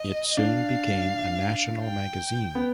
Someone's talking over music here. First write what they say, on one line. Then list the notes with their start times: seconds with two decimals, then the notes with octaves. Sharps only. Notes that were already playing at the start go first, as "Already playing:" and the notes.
It soon became a national magazine.
Already playing: D#5
0.37 D4 F5
1.83 G5
2.55 B3